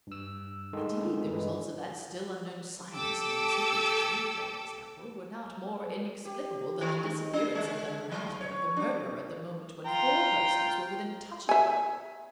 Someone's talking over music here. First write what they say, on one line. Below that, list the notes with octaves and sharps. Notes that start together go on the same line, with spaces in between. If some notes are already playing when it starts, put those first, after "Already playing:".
Indeed, the results of that still unknown science known as hypnotism, for example, were not more inexplicable than the disappearance of the "matter" of the murderer at the moment when four persons were within touch of him.
G2 E6
D#3 G#3 D#4 A4
G2 E3 G#3
G4 A4 D6 E6
G4
D#3
D#4
D4
G#3
F#3
C#5
D4
F4 G5 A#5
E5 G#5